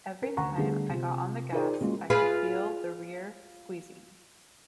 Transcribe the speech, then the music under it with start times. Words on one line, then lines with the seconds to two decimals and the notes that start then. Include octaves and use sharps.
Every time I got on the gas I could feel the rear squeezing.
0.22 C#4 A#4
0.37 D2 F#5 A#5 C#6
0.58 D3 G3 A3 B3 G4 G#4
0.89 C3 F4
1.52 D#4 F4 G#4 A#4 C5 D5
1.81 G#3 A#3 C#4 F4 F#4
2.10 F4 G#4 B4